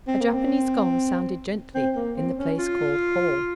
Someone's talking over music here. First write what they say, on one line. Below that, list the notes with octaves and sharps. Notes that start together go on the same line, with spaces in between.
A Japanese gong sounded gently in the place called hall.
C4
A#3
C4
C4
A#3
C4
C#4
F4